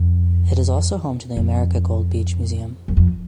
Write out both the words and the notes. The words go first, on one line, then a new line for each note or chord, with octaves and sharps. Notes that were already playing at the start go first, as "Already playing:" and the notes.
It is also home to the America Gold Beach Museum.
Already playing: F2
F2
F#2
F2